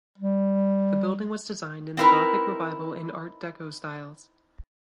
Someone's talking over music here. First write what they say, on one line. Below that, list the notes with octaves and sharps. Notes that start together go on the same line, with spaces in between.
The building was designed in the Gothic Revival and Art Deco styles.
G3
C4 D#4 E4 G4 A#4 B4